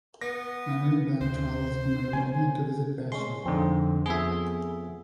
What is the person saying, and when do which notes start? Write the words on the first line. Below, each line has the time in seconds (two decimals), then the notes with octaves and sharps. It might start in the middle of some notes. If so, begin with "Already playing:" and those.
Merrin then travels to Nairobi to visit Bession.
0.21 B3 A#6
1.21 D2 C5
2.13 C#3 B3 C#4 G#5
3.12 G#3 C#4 C6
3.46 F2 D3 C4 D#4
4.06 F2 B3 G#4 E5 G#5